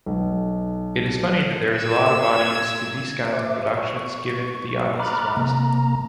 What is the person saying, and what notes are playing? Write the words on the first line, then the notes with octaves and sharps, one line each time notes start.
It is funny that there is a lot of audience to these kinds of productions, given the audience’s modesty.
B1
E6 G#6
C5 E5 D6
C#6
A#5 B5 D6 F6 F#6 A6
C3 A#3 A#5